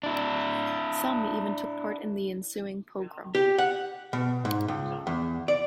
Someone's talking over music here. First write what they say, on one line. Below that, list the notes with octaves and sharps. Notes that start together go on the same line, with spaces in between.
Some even took part in the ensuing pogrom.
D4 E4
G4
F#5
B2
G#2
C#2
E2
D5